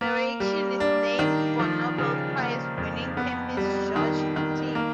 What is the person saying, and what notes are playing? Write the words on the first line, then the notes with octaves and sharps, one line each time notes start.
The reaction is named for Nobel Prize winning chemist Georg Wittig.
A#3
G3
D4
D#3
F3
C#3
A#3
F2
B3
G3
D#3
D#3
A#3